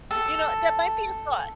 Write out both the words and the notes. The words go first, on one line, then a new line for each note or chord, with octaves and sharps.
You know, that might be a thought.
A4